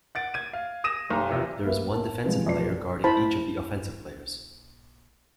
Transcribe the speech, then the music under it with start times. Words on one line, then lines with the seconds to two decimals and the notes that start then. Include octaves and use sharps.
There is one defensive player guarding each of the offensive players.
0.15 F#5 A6 D7
0.34 G#6 D#7
0.53 F5
0.84 D#6 A#6 D#7 E7
1.09 F#1 B1 G4 A#5 C6
1.29 E2 C3 F3
1.65 A#3 B4 E5
1.92 A#4 A5
2.25 B2 E3 F3 G3 G#3 C4
2.47 F2 B2 D5 C7
3.04 E4 C5 A5 B5